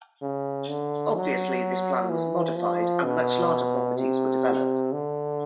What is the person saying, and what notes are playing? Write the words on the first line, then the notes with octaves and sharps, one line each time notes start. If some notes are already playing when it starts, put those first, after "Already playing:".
Obviously, this plan was modified and much larger properties were developed.
C#3
D3
F#3
E3
F3
B2
C3
D3